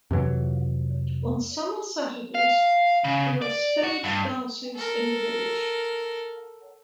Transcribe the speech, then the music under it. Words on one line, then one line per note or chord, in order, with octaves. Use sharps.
On summer Saturdays there are stage dances in the village.
F2 C3 E3 F#3
F5
C#3
D5
F#4
G2
A4 A#4